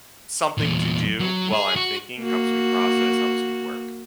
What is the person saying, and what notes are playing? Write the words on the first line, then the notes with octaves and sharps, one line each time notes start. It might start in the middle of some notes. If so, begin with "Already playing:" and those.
something to do while I'm thinking helps me process, helps me work.
E2 A#2
F#3
G#4
F#4
A#3 F#4